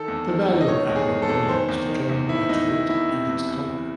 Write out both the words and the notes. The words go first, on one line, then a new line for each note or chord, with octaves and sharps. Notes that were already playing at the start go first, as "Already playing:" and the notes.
The value of aquamarine is determined by its weight and its color.
Already playing: D#3 A4
E2
D#3
E2
D#5
D#3 C#5
E2
G#4
D#3
A4
E2
D#3 C5
E2
D#3
E2
D#3 E4
E2 D#4
D#3 E4
E2 E4
C3
E2
E2
E3